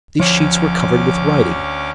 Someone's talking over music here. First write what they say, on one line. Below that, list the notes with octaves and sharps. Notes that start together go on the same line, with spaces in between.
These sheets were covered with writing.
D2 F3 C#4 C#5 D6